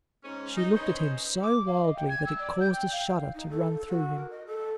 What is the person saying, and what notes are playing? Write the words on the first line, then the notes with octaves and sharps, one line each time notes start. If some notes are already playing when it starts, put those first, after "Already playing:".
She looked at him so wildly that it caused a shudder to run through him.
G#2 C#4
D#4
C#4 D#4 B4 C5
D6
F5
D#5
G5
G#6
E6
D5
G6
G5
F5
D#4
A4
F#4
A#4
D#5
A4